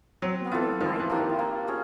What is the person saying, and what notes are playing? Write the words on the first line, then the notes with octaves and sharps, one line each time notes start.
'None of my people?
F#3 C4
E3 F4 A4
D#3 F3
E3
A#3 D4 G4
D#3
A#3
C#4 F4 G#4